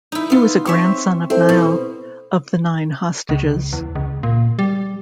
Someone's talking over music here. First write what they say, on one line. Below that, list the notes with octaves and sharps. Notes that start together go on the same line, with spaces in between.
He was a grandson of Niall of the Nine Hostages.
D#4 E4
B3 F4
C4 C#5 E5
C4 E4 A4 C5
B2
C#2
E2
C#2
A#2
G3